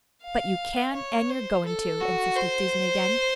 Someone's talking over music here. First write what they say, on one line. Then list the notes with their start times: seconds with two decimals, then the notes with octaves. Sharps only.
"But you can, an' you're goin' to," insisted Susan again.
0.24 F5
0.94 C#5
1.30 C5
1.66 A4
2.00 F#4
2.36 C5